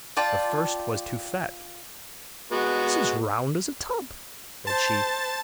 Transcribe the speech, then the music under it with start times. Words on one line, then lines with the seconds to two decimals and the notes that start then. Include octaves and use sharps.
The first was too fat: 'He's as round as a tub,' said she.
0.17 F4 D5 G5 A5
2.52 G#3 B3 F#4
4.67 C5 A5 A6